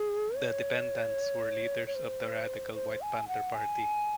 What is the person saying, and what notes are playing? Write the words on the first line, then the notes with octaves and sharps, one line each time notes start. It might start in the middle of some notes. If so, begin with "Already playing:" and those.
The defendants were leaders of the radical White Panther Party.
Already playing: G#4
C#5
C#5
C5
C5
G#5
F#5
G#5